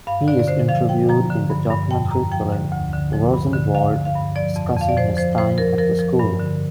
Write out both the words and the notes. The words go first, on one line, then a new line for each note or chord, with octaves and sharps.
He is interviewed in the documentary film, Rosenwald, discussing his time at the school.
G2 F5
D3 D5
D5
D3 C5
F3 F5
F3 G5
F3 A#5
D3
G2
G2
F2 G5
F2 A#5
F3 G5
D3
D2
D3
F3
G2
D3
D3 F5
D3
F5
G2
F3 D5
F2
F2 F5
D5
F3 C5
F3 C5
F3 C5
F3 A#4
F3 A#4
F3
G2
D3